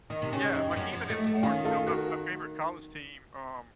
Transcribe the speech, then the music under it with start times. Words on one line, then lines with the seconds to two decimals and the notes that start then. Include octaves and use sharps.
Yeah, like, even in sports, you know, my my favorite college team, um
0.10 D#3 D#4
0.22 C3
0.33 C#3 C#4
0.54 F2 D#4
0.71 F2
0.76 F#2
0.93 F3
1.10 A3
1.26 A3
1.43 D#3 C#4 F4
1.65 F4 A4
1.87 F#4 A#4